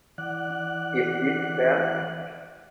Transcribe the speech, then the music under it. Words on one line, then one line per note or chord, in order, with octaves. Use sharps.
Is this fair?
E3 D5 F#5 F#6